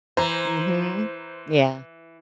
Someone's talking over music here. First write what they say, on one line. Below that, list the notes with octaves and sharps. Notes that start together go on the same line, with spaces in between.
Mhm, yeah.
E3 C5 A#5